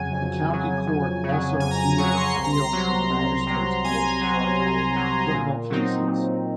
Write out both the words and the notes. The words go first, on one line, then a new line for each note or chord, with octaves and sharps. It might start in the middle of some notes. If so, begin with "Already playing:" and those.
The County Court also hear appeals from the Magistrates' Court regarding criminal cases.
Already playing: F2 C#3 F#3 G#5
F2
C#3 F#3
F2
C#3 F#3
F2 G#5
A#5
G#5
C#3 F#3 C#6
C6
C2 C6
A#5
C6
C3 F#3
C2
C3 F#3
C2 G#5
C3 F#3
C2
C3 F#3
A#2
F#3 C4 D#4
A#2